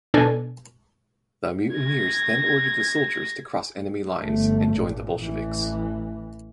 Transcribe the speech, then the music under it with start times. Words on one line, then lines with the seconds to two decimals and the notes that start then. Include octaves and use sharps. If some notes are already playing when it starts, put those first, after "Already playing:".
The mutineers then ordered the soldiers to cross enemy lines and join the Bolsheviks.
0.14 B2 D4 A4 G#5
1.74 G#6 A#6
4.20 G1 A3
4.76 G#1 A#2
5.17 A1 E3